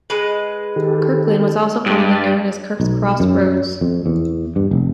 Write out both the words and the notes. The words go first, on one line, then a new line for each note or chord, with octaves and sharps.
Kirklin was also commonly known as Kirk's Cross Roads.
G#3 B4
D#3 G4 A4
G2 A6
B1
F#2
F2
E2
G2
F1